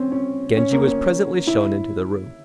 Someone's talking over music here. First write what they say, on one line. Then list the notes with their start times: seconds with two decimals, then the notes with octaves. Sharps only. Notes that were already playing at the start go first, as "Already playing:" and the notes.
Genji was presently shown into the room.
Already playing: C4 C#4
0.12 C#4
0.57 C#4
0.72 A#3
0.87 C#4
1.47 E4